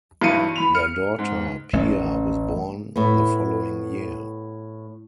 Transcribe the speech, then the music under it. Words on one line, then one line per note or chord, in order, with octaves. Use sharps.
Their daughter, Pia, was born the following year.
B1 G2 E3 E4 C#7 D#7
E3 B5 F7
F6 C#7
G#2
A1 A3 C#4
A2 B3